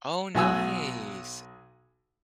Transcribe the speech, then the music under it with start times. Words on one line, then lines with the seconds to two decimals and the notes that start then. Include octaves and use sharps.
Oh, nice.
0.35 B1 F#4 G#5 E6